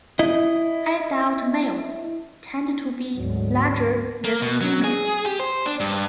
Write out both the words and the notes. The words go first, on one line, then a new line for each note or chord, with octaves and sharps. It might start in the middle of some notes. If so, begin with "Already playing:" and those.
Adult males tend to be larger than females.
E4 D#5
D2 G#2 F#3
A#3
B2
F#3
G#4
G4
C5
D4
G2